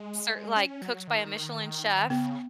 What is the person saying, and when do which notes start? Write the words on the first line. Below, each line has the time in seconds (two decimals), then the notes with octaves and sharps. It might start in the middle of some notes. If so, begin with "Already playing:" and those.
ser like cooked by a Michelin chef
Already playing: G#3
0.56 C#4
0.82 F#3
1.08 D#3
2.09 C#3 B3